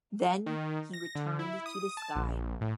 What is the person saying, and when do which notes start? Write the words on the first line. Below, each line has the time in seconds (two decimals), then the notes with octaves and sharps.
Then he returned to the sky.
0.46 D#3
0.94 A#6
1.15 D3
1.39 E4
1.66 D#6
1.97 A5
2.16 A#1
2.61 A2